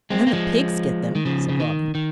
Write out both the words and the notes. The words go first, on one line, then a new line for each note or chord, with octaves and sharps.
"And then the pigs get them," said Robin.
G#3 C4
A#3
F3 G#3
D#3
C#3 F3
C#3
D#3
D#3